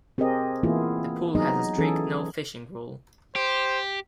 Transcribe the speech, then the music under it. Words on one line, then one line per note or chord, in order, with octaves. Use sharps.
The pool has a strict no fishing rule.
C4 G4 G#4 A#4 D#5
E3 A#3 B3 E4 F4 G#4
F#3 B3 D#4 G#4 D#5
E3 C#4 G#4 A4
G4 C5